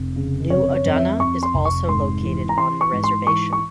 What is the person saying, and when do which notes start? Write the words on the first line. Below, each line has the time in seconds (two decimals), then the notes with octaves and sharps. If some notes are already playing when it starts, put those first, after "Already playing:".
New Odanah is also located on the reservation.
Already playing: F1
0.16 C#3
0.50 F2 C#5
0.74 C#5
0.85 F2
0.96 E5
1.19 F2 C#6
1.43 C6
1.54 F1
1.65 C#6
1.89 G#2 C6
2.23 E3
2.49 A#5
2.58 E3 C6
2.81 C#6
2.92 G#2
3.04 C6
3.27 E3 C#6
3.53 C#6